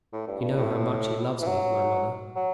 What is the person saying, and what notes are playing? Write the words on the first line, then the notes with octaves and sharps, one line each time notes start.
You know how much he loves me, my mother.
A2
G2
G2
A2
E3
F#3
F#3